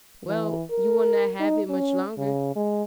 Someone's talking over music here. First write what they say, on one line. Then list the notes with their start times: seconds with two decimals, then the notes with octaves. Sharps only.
"Well, you will not have it much longer."
0.28 E3
0.71 A#4
1.40 D#4
1.70 C#4
2.18 C#3
2.56 G#3